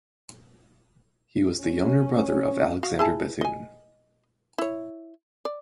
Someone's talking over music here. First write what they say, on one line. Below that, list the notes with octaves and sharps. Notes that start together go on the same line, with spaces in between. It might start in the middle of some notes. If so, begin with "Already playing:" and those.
He was the younger brother of Alexander Bethune.
C#4
F#4 F5
E4 G#4 A5
D#5 G#5
E4 C#5
D5